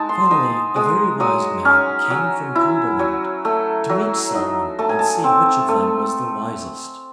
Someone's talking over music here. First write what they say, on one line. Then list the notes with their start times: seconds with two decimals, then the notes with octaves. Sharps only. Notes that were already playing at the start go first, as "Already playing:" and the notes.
Finally a very wise man came from Cumberland, to meet Solomon and see which of them was the wisest.
Already playing: G#3 D#4 F#5 A5
0.09 C6
0.31 D#4 D#6
0.76 G#3 D#6
1.20 F#3 D#6
1.65 C#4
2.10 F#3
2.55 E4
2.99 F#3
3.45 A3
3.89 F#3
4.35 D#4
4.79 A3 A5
4.89 G#5
4.99 A5
5.24 C4
5.68 A3